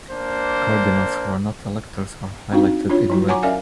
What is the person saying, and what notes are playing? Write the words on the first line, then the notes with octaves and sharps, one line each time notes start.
Cardinals who are not electors are highlighted in red.
A#3 D4 C5
C4 D4 D#4 F#4 F5
D4 F4 C#5
F#3 E4 F#4
C#5 F#5 G#5 A#5 C#6 D6
C#4 A#4 D5 E5 F5 G#5